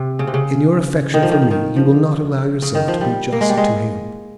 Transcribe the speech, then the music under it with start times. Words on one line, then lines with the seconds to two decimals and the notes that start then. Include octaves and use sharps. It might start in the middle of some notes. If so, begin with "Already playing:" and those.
In your affection for me you will not allow yourself to be just to him.
Already playing: C3
0.19 C#3
0.27 C3
0.34 C#3
1.14 D#3
1.23 F3
1.31 D#3
1.42 F3
1.51 D#3
1.76 F3
2.62 C#3
2.75 D#3
2.88 F3
3.01 G3
3.33 A#3
3.41 G#3
3.49 G3
3.57 G#3